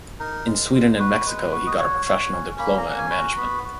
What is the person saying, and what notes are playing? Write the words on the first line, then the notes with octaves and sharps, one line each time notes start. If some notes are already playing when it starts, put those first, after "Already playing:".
In Sweden and Mexico he got a Professional Diploma in Management.
D#4 A#4
G#3
G#3
F#4 B4
G#3
F#4
D#5
F#4 C#5
F#4
C#4
A#3 B5
A#5
C#4
F#5
G#5
F#4 B5
A#5
B3 B5
F#4